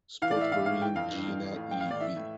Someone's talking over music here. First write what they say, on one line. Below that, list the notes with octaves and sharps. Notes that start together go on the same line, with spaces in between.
Sportverein Jena e.V.
E3 F5
A2 D5
E5
E3 F5
A2 F5
E3 G5
F2 F5
E3
F2
E3
A2
E3 G5
F5
A2 D5
E3 E5
A2